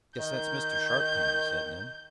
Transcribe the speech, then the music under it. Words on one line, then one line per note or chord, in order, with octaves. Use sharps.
"Guess that's Mr. Sharp coming," said Ned.
D#3 G6